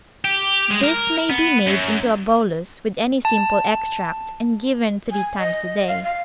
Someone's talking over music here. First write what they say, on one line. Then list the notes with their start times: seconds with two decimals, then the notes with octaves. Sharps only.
This may be made into a bolus with any simple extract, and given three times a day.
0.24 G4
0.71 G#3
0.83 A#4
1.30 B3
1.67 F#2
3.25 A5
5.11 G#5
5.39 D#5
5.87 F5
6.03 F5